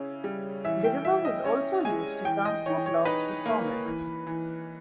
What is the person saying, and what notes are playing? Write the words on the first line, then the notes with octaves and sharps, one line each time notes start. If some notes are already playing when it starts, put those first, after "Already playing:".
The river was also used to transport logs to sawmills.
Already playing: C#3 C#4 E4
G3
E3 E5
G5
E4 E5
D#5
C#4 C#5
G#3 G#5
E3 G5
D#5
E3 C#5
C#5
D#4 B4
A#3
E3
E3